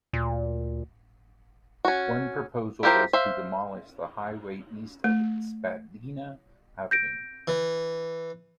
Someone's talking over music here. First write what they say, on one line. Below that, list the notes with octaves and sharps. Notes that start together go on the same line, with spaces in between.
One proposal was to demolish the highway east of Spadina Avenue.
D2 A#2
C#4 F#4
E4 F4 G4 A#4 C5
C5 E5 F5
A3
G6 A#6 D7
E3